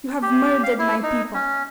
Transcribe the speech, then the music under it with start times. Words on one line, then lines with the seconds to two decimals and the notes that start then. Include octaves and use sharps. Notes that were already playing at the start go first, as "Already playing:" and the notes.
You have murdered my people!
0.22 G4
0.63 F5
0.79 E4
1.03 D#4
1.34 C#4